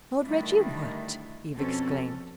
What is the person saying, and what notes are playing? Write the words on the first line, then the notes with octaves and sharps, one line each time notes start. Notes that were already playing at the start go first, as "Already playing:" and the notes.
"Lord Reggie what!" Eve exclaimed.
D3 D#3 G3 A3 D4 E4
F2 B2 C4 C#4 A4